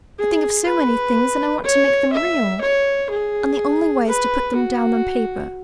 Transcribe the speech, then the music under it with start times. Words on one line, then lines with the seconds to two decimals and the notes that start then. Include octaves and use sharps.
I think of so many things, and I want to make them real, and the only way is to put them down on paper.
0.19 G#4
0.67 B4
1.64 C#5
2.13 E5
2.61 C#5
3.10 G#4
4.07 B4
4.55 F#4